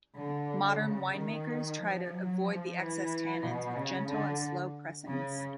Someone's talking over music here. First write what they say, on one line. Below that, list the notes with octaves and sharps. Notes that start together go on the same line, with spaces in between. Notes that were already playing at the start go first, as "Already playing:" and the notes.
Modern winemaker try to avoid the excess tannins with gentle and slow pressings.
D3
C#3
D#3
F3
F#3
F3
E3
B2
C#3
D3
C#3